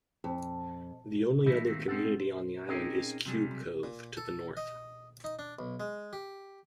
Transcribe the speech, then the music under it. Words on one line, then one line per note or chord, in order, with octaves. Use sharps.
The only other community on the island is Cube Cove, to the north.
F2
A#2 E3 G3 A3 D#4 E4
G#2 D#3 A3 A#3 C4
G#3 C4 C#4 A4 F#5
C5
C4 C#4 D#4 G4 G#4 A#4
C3 F#3 G3 G#4
A#2
A4
D#5
D#4
D4
B1
G#3
G4